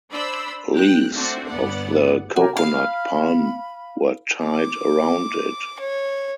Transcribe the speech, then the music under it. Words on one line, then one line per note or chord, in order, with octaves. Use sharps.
Leaves of the coconut palm were tied around it.
D4 C5 D5 B5 E6
G5 F#6
A3 C4 D4 F#4
G1 B3 D5 F#5
F#4 G4 A#4 C#5
F5 B5
D6
C#5